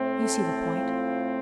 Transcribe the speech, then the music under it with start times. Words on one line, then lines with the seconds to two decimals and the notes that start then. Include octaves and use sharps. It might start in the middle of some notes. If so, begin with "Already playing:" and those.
You see the point.
Already playing: A2 A3 C4
0.20 A4
0.76 F4